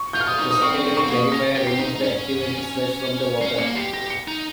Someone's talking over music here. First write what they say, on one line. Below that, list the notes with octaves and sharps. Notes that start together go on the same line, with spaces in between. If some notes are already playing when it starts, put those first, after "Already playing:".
The secondary clarifier removes the activated sludge from the water.
Already playing: C#6
F4 G6
F6
D#6
D#4
D#6
C4 C#6
C4
C#6
A#3
C#4 A#6
G4
C7
D#4
D#4
C#4
C#4 C7
A#3 C#7
G4 C7
G4 A#6
C#7
D#4